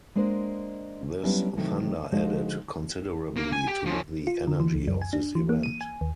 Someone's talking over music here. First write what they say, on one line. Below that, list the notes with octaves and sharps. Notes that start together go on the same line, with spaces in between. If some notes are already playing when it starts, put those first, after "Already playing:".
This thunder added considerably to the energy of this event.
G#3 A#3 D4 C5
F#3 G3 B3 C#4 D4 E4
C3 D#3 E3 F#3 A3
D3 F3 G#3 D#4 F#4 G#4
A#3
G#5
G4
F3 C#4
F4
D3
E3
C#2
F#2
G#5
D4
E3
A#3
D#7
G#5
D#2